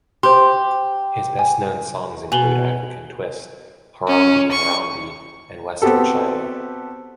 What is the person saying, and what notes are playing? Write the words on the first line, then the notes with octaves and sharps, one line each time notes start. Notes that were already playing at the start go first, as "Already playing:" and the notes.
His best-known songs include "African Twist", "Harambee Harambee" and "Western Shilo".
G4 C5 C6
G#5
B2 G#5 F#7 G7
C#4
C#6
B3 C4 F#4 G4 A4